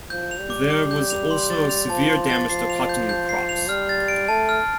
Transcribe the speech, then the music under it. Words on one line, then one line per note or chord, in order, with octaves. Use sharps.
There was also severe damage to cotton crops.
F3 G6
F7
G3
D6
D6
G6
F7
C6
A6
F7
F3 A5
C6
A6
F3 C7
F7
G6
G6
C7
F7
G3 F6
A6
D7
A3 A5
F6